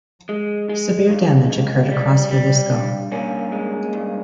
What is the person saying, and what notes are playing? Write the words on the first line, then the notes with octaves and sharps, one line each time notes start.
Severe damage occurred across Jalisco.
G#3
G#3
G2
C#2
G3
G3
G2
G2 A#3 C#4
G#3
G2